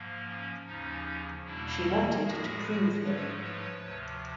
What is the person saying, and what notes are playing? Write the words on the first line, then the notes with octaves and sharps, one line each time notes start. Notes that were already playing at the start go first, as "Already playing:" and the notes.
She wanted to prove him.
Already playing: G#2 F3 A#3
C#4
D#2 C#3 F3 C#4 D#4
E2 B2 G3 A#3 D4 E4
A2 F3 G#3 F#4 G#4
G#2 F3 A3 B4 C#5
B4 C#5
D2 C3 F3